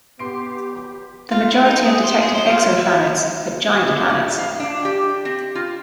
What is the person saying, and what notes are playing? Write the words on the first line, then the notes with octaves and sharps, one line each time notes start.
The majority of detected exoplanets are giant planets.
B3 G4 C6 C7 D7
F4
E4
D#4
G#4
C5
G#4
C5
F4
E4
D3
A2
F5
D4
G4
C4
F4